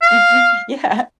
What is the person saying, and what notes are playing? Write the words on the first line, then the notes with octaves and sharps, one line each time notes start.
Mhm. Yeah.
F5